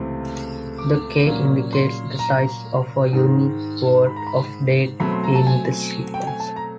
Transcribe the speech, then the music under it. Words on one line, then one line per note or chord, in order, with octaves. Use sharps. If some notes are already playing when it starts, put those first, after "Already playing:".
The "k" indicates the size of a unique word of data in the sequence.
Already playing: C#2 C3 E3 A3 C4
D6
A#2 F#3 A#3 C#4
C6
A#5
G#2 D#3 G#3
B5
A#5
B5
B2 F#3 A3 C4 B5
C6
A#5
A5
G#5
G5
G#5
A5
A#5